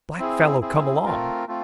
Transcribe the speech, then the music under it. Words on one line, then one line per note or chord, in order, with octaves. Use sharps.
"Black fellow come along."
C4 E4 G#4
C4 E4 G#4
A3 C4 F4 A#4
A3 C4 F4